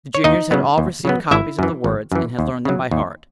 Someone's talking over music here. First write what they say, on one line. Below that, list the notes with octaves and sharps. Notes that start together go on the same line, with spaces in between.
The juniors had all received copies of the words and had learned them by heart.
C#5
D#2 D#4 D#5
C#3 F#3 B3
D#2
C#3 F#3 B3
G#1 E4 E5
F#2 E3
G#1
F#2 E3
D#2
C#3 F#3
D#2